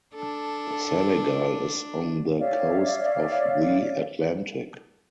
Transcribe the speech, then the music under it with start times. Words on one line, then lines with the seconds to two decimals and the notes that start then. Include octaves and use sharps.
Senegal is on the coast of the Atlantic.
0.15 D4 A4
2.39 C#5 D5 E5 F5